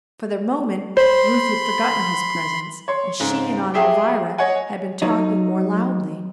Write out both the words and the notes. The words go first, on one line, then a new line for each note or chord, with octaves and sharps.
For the moment Ruth had forgotten his presence and she and Aunt Alvirah had been talking more loudly.
C5 B5 C6
C#5 C6
G#2 C#3
G4 G#4 E5 G5
C#5 D#5 F#5 G#5
F#3 D#4